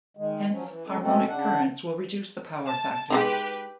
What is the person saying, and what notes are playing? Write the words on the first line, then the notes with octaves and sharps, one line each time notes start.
Hence, harmonic currents will reduce the power factor.
D#3 G#3
F3 F#3 C#4
E3
C#3 G#3 C#4 A4
B2 G#3 A3 C4 C#4 A4
C#3 D4 F#5
A5
G#3 D4 D#4 G4 B4